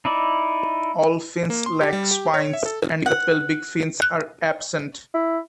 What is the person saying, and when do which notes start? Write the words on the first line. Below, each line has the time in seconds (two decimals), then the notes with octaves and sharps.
All fins lack spines, and the pelvic fins are absent.
0.05 D#4 E4 D5
1.50 A#3
1.66 C6
1.81 G4
1.93 G3
2.11 G4
2.34 C#5
2.53 E5
2.66 A4
3.06 F#5
4.02 F#6
5.14 E4